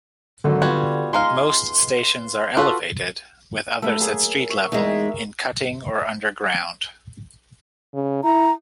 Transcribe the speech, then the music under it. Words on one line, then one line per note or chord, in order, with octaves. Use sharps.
Most stations are elevated, with others at street level, in cutting or underground.
G#1 D3 F#3
G3 B3 F4 F#4 G#6
G#3 D#4 F5 C6
F4 F#4 A4 B4 F#6
G#3 A3 A4 B4
F#2 A#3 G#4
C#5 E5
E2 G#3 D#4 A#4 E5 G5
C#3
E4 A#5